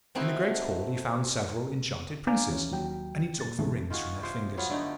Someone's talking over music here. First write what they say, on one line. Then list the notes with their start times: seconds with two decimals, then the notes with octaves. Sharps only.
In the great hall he found several enchanted Princes, and he took the rings from their fingers.
0.15 A3 C4 D#4 E4 F#4
2.27 D4 F5 G#5 A#5 D6
2.48 D#2 E3 C#4
2.72 D#2 F#3 G5
3.39 A#2 A6
3.59 D2 G#2 E3 A3
3.90 D#3 F4 F#4 G#4
4.23 C3 F4 G#4 C5
4.57 F#3 B3 F4
4.70 D3 A3 D#4 G4